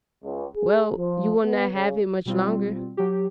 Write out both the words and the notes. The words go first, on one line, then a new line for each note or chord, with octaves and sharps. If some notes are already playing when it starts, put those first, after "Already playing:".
"Well, you will not have it much longer."
C#2
G#4
F3
B3
C#3
B2 G3 C4 F4
F#3 G4